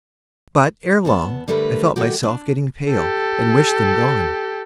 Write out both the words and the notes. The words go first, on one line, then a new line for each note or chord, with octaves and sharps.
But, ere long, I felt myself getting pale and wished them gone.
E2 B3 A5
D3 G3 A3 A#4 B4
D#3 G3 A3 F#4 G4
D4
G4 A4